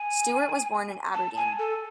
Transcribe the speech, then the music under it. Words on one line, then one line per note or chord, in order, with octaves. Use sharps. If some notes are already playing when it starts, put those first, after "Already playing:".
Stewart was born in Aberdeen.
Already playing: G#5
A5
G#5
A4